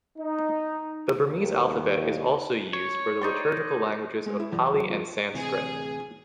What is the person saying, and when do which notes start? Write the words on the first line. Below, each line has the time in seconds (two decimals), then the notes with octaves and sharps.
The Burmese alphabet is also used for the liturgical languages of Pali and Sanskrit.
0.18 D#4
1.24 D#2
2.73 C#5
3.21 D#4 D5 C6
4.26 G#3
4.40 E4
4.52 E2
4.73 F#3
4.90 F3
5.34 D1 C3 E3 G#4